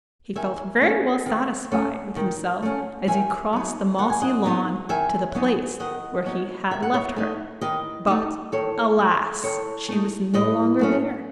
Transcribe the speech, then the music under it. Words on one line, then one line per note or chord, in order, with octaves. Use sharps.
He felt very well satisfied with himself as he crossed the mossy lawn to the place where he had left her; but, alas! she was no longer there.
D#3 E5 G#5
A3 C#4
D#3
A3 C#4
D#3
A3 C#4
D#3 E5 G#5
F#3 B3 D#4
D#3 F#5
G#5
D#5 F#5
F#3 B3 D#4
D#3 E5 G#5
F#3 B3 D#4
D#3 D#5 F#5
F#3 B3 D#4
D#3 E5
F#5
C#5 E5
A3 D#4
D#3 B4 D#5
A3 D#4
D#3 A4 C#5
A3 D#4
D#3 A4 C#5
A3 D#4
A2 B4 D#5
F#3 A3 C#4